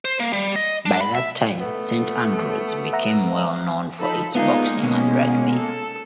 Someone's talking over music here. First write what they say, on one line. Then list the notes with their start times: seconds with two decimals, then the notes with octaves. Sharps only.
By that time, Saint Andrew's became well known for its boxing and rugby.
0.05 C5
0.20 A#3
0.33 G3
0.56 D#5
0.86 D4
1.01 B5
1.15 E5
1.61 A3 B3
2.93 E5 F#5 A#5
4.00 F3 D#4 A4 B5
4.35 G#3 A#3 B3 D#4 F4
4.83 B2 C#4
5.56 A4